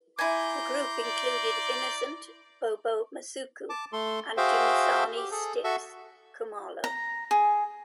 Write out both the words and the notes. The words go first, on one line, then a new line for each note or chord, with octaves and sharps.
The group included Innocent "Bobo" Masuku and Dumisani "Stix" Khumalo.
E4 G#5 A#5 C6 D6 G6
D5
A5 D6
A3 A4 C6
F#4 G#4 C5 E5 F5 G5
G4
G#4 A4
F#4 A4 E5 C#6
A#5
G#4